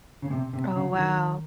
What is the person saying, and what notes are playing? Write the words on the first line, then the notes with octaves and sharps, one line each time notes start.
Oh, wow.
C#3
C3
C3
C#3
F3
D#3